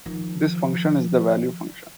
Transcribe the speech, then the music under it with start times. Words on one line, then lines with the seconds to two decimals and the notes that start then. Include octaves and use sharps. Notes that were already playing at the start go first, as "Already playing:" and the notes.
This function is the "value function".
0.06 D#3 F3